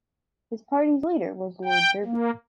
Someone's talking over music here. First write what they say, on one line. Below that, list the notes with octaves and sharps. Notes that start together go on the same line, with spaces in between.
His party's leader was Lord Derby.
G5
A#3